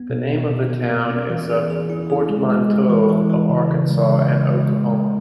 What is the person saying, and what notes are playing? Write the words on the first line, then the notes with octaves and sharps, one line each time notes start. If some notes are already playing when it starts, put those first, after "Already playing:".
The name of the town is a portmanteau of Arkansas and Oklahoma.
Already playing: B3
B2
B2
B2
B3
B3
C#4
E3
G#4
G#4
E4
G#4
G#3
G#3
G#3
E3
E3
E3
C#3
C#3
G#3
C#3
C#3
G#3
G#3
G#3